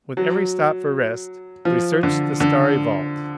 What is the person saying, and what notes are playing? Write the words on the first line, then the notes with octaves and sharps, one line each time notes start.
With every stop for rest we searched the starry vault.
F#3
F3
D3
D3